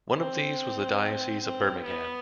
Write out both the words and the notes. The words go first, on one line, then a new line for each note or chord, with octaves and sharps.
One of these was the diocese of Birmingham.
C4
C4
B3